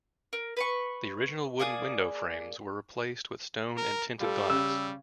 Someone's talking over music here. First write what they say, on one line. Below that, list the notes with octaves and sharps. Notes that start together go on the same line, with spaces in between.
The original wooden window frames were replaced with stone and tinted glass.
A#4
B4 B5 C#6
A#3 G#4 D5 D#6
A#4
G3 F4 G4 A4
C#3 E6